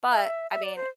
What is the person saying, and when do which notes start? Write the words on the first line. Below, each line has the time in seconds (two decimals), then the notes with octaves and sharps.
But, I mean, I
0.11 E5
0.51 E5
0.63 D5
0.76 C5